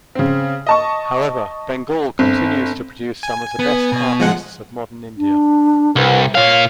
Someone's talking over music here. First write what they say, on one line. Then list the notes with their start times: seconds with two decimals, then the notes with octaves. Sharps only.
However, Bengal continues to produce some of the best artists of modern India.
0.15 C#3 C4
0.67 D#5 A5 C#6
2.19 G1 C4
3.23 G#5
3.59 B3
3.92 B2
4.20 F3 G#3 F#5
5.18 D4
5.96 C2 B4
6.35 A#2 C#5 F5